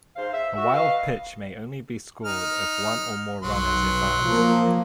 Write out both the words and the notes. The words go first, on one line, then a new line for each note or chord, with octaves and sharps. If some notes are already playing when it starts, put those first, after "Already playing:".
A wild pitch may only be scored if one or more runners advance.
G#2 C5 F5
E5
F#4 E5
B4 D#5 F5
D#4 F6
B1 F#3 C6
F3 A#3